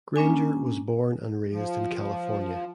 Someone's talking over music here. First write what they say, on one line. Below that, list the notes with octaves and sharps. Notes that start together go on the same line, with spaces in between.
Grainger was born and raised in California.
A#3 C#4 D4 G#5
F3